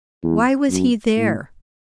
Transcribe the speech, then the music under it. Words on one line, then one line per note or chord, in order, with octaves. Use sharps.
Why was he there?
E2
F#2
A2